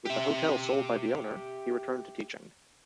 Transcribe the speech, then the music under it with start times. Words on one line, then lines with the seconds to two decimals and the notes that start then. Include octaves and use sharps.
With the hotel sold by the owner, he returned to teaching.
0.06 G4 E5